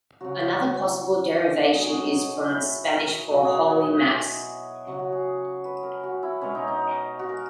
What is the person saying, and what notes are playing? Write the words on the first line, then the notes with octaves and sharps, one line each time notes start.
Another possible derivation is from the Spanish for "Holy Mass".
C#3 F#3 F#4
B2 F#3 G#4
F#4
D#4
E4
B2 F#3 F#4
G#4
F#4
G#4
C#3 F#3 F#4
F#4
G#4
B4
A#4
F#4
E4
B2 G#3 C#4
D#4
D#4
F#4
A#4